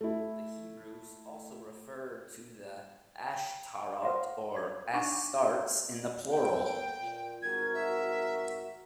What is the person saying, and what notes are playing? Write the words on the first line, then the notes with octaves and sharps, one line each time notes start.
The Hebrews also referred to the "Ashtarot" or "Astartes" in the plural.
A3 E4
G5
C5 F5 F#5 C6
G#6
D4 D#4 C#6 D6
A#3 B3 A4 G5
A#2
G#1 F#4 A#4 G#6
E5